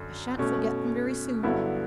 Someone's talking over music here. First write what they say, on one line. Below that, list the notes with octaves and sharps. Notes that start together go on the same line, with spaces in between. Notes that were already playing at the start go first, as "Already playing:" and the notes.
I shan't forget them very soon.
Already playing: F#2 D3 F#3
B2 A3 C#4
G2 D3 F#3 B3 E4